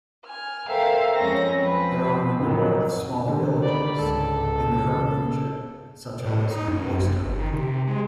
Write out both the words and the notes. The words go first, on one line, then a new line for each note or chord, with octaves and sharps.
There are a number of smaller villages in the Herve region, such as Hacboister.
G#5 F6
A4 A#4 C5 E5 F5 G5
F2 G#3 C4 C#4 A#6
F3 C4 B4
F2 A2 D#3 F#3
D3 D#3 G4
D5 B5
C#2 G#2 A4
C#3
A2
D#4
F#2
A#1
G1
D#3
C3
G#3